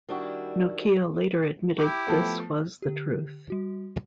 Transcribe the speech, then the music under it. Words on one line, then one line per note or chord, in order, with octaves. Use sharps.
Nokia later admitted this was the truth.
D#3 G3 D4 E4 F#4
E4 G4 D6
F3 A3 B3
D3 G4
G3 F#4